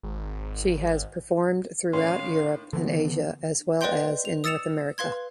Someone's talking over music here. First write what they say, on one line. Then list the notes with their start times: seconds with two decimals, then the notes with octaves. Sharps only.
She has performed throughout Europe and Asia as well as in North America.
0.03 G#1
1.93 A2 D#3 C#4 F5 C6
2.73 D3 E3 B3
3.81 B4 D5 D#5 G5 C6 G6
4.25 F7
4.44 D#6 E6 A6 C#7 E7 F7
4.98 B4 F5 C6 G#6